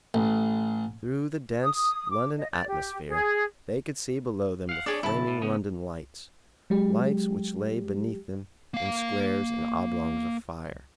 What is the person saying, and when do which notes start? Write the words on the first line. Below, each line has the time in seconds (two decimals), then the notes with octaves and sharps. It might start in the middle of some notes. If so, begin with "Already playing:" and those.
Through the dense London atmosphere they could see below them the flaming London lights; lights which lay beneath them in squares and oblongs of fire.
0.14 A1
1.64 D#6
2.10 D6
2.37 D#5
2.52 D5
2.68 G4
3.09 G#4
4.69 F5 F#5
4.86 D4 G#4 C#5 D5
5.03 C2 F2 C#3 E4 A5
5.27 A2
5.42 C#3 B3
6.70 F#3 G#3 G4
8.74 A#3 F5